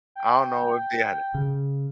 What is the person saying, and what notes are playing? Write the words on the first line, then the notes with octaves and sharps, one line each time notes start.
I don't know if they had it
G5
C#3